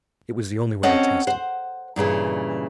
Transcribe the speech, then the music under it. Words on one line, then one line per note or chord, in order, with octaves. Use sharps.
It was the only way to test him.
C4 C#4 A4 D#5 F#5
C5 F#5
G2 A#2 C#3 E3